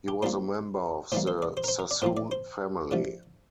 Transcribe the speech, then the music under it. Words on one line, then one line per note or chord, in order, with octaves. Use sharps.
He was a member of the Sassoon family.
G4
A2 G3 A#3 C5
A2 E3 G3 A#3 C5
C5
D5
C5
A#4
C5
A#4
D5
A2 F3 A#3 C5
D5
C5
D3 F3 A3